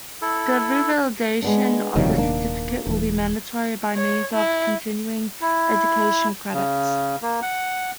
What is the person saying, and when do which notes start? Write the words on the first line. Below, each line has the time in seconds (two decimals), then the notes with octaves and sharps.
The revalidation of the certificate will be mandatory by means of continuing education credits.
0.22 E4 A4
1.42 G#3 B3 D4
1.96 D#1 F2 C3 D#3 F#3 G3
2.18 A#3 D4
2.86 D#1 E3
3.96 C#5
4.34 E4
5.41 E4
6.54 C#3
7.22 A#3
7.42 F#5